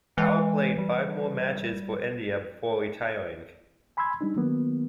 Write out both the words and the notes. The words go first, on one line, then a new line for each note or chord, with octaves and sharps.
Ao played five more matches for India before retiring.
E3 G#3
G3
G#5 B5 C6 E6 G#6
G3 D4 D#4
D#3 F#3 A#3 B3